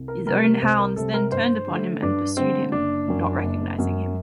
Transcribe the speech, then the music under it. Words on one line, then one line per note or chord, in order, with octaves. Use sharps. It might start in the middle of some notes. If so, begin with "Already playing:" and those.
His own hounds then turned upon him and pursued him, not recognizing him.
Already playing: C2
A#4
C3 G3 A#4
A#4
C2 C5
A#4
C3 G3 A4
A#4
G2 C5
D3 A3
G2 D4
D3 A3 C4
F#1 D4
F#2 F#3
F#1
F#2 F#3